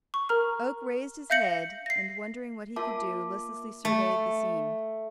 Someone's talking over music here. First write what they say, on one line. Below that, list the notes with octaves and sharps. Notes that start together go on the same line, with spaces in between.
Oak raised his head, and wondering what he could do, listlessly surveyed the scene.
C#6
A#4 A#5 F6
E5 F5 G6 A#6 C#7 F#7
A#6 C7
A#3 F4 A#4 E5 A5 D6
A3